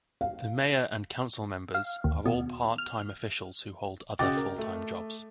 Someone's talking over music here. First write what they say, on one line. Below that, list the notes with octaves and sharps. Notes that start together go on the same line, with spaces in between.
The Mayor and Council Members are all part-time officials who hold other full-time jobs.
F5
F5
D#2
B2
F6
C#3 F#4 D#5 G5 D6 A6
A#4
A3